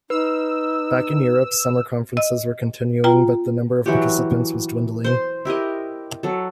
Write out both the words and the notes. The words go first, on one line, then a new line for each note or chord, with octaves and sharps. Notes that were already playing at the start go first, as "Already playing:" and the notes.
Back in Europe, summer conferences were continuing but the number of participants was dwindling.
D#4 B4 E6
D#5 E6
F4 G5 A#5
E3 F#3 F#4 G4
C5 C6
E4 G4 A#4 D#5
F#3 A4